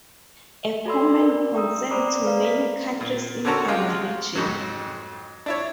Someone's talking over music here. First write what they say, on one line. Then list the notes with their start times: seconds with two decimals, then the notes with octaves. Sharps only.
A common concern to many countries in our region.
0.85 F#4 A4 D5 B5 C6 E6
1.21 A#4 D5
1.55 G5 A#5 D#6 E6
1.91 C5 D5 A#5 B5 D6 D#6
2.25 B4 D5 F5 A#5
2.45 B6
3.01 A#2
3.45 D3 C4 C#4 F#4 A4 A#4
3.68 G#3 F4 G4
4.35 F2 G#2 F#3
5.46 D4 E4 C#5